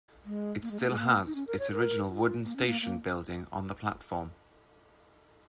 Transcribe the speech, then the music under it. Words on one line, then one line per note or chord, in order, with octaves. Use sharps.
It still has its original wooden station building on the platform.
G#3
A#3
G#3
A#3
G#3
A#3
D#4
C#4
A#4
C#5
A#4
F4
A#3
C#4
A#3
A#3